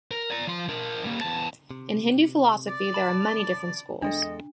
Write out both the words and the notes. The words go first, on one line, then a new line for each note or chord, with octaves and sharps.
In Hindu philosophy, there are many different schools.
A#4
D5 A#5
F3 C6
D4 A#4
G3 A#3
E2 A5
C3
D5 D6
A5 B5
E2 G#3 D4 A4 D#5